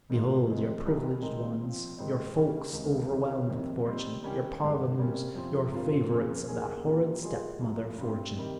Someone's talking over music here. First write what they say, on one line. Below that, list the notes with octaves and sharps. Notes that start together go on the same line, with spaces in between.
Behold your privileged ones, your folks overwhelmed with fortune, your parvenus, your favourites of that horrid stepmother Fortune!
G#2 D#3 A#3 F4
F2 C3 D#3 G#3
C2 C3 D#3 G3 C#4
D#3 G#3 C4 D#4 A#4
F3 C4 F4
G#2 D#3 G3 C4 D#4
C#3 G3 A#3 C#4
C#2 C3 D#3
C2 C3 D#3
F2 C3 D#3
G3 C4 D#4
D#3 G3 C#4 G4
G2 D#3 G#3
C3 G3 A#3 C#4
F2 C3 F3 C4
G2 F3 C4 F4 A#4
F2 C#3 F3 A#3 C#4
D#2 D#3 A#3 C#4 G#4
A#2 F3 A#3 C#4 G4
G3 A#3 F4 G#4 D#5
C2 A#2 F3
G2 G3 C4
C3 D#3 G3